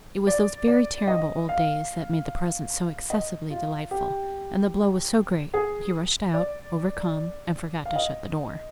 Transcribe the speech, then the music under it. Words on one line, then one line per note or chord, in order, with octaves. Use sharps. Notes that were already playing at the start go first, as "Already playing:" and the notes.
It was those very terrible old days that made the present so excessively delightful, and the blow was so great he rushed out, overcome, and forgot to shut the door.
D5
D5
D#5
F5
D#5
F4
G4
G#4
D5
F5
D#5